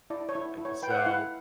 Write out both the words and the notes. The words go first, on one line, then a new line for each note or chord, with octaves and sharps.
I so
E4 D5
C#5
E4
E4
C#5
B4 G5
F#5
F5
E4 F#5